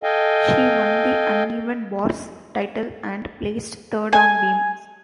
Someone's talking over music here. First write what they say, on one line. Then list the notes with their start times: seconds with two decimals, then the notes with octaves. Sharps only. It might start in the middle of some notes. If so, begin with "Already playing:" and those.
She won the uneven bars title and placed third on beam.
0.03 A4 D#5 F5 G5 G#5
4.13 G#5